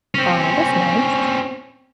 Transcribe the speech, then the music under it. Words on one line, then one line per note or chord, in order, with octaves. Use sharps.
Oh, that's nice.
C4 C#4